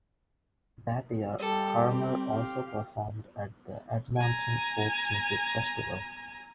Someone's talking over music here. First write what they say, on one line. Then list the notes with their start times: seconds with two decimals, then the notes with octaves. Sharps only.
That year Harmer also performed at the Edmonton Folk Music Festival.
1.39 G3 G4 A4
1.87 C4
2.32 G4 F5
4.17 G#5 A#5